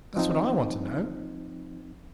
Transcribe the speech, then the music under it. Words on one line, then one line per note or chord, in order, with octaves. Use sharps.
That's what I want to know.
F3 C4 D#4